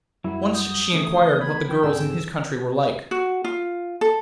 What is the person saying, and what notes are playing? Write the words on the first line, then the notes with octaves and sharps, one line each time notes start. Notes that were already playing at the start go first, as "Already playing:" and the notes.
Once she inquired what the girls in his country were like.
F#2 F#3 G3 E4 F#4
D#6 G6
C#3 E3 A3 C#4
B3 B5 G#6
F3 G5
D2 G#2 C3 G#4 A4 G#5 E6
F#4
F4
A4